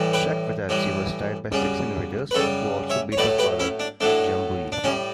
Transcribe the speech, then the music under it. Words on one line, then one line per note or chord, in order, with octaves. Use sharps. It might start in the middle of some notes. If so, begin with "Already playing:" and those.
Chakvetadze was tied by six invaders who also beat her father, Djambuli.
Already playing: A2 E3 G3
G4 B4
A2 E3 G3
F#2 C#3 G3
B4
F#2 C#3 G3 A4 C#5
C#5 E5
C#5
A2 F#3 A3 B4 D5
G4 B4
C#4 E4
D4
A2 F#3 A3 D4
D4
A2 G3 C#4